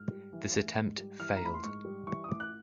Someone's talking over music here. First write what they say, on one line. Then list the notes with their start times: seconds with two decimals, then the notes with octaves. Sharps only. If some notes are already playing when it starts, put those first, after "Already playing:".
This attempt failed.
Already playing: G#2 F6
0.11 G3
0.33 E3
0.54 A1
0.76 G#2
0.98 G3
1.19 E3 F6
1.37 A#5
1.41 A1 B5
1.54 C6
1.63 G#2 C#6
1.85 G3
2.07 E3 C#6
2.24 D#6
2.28 A1 D6
2.40 F#6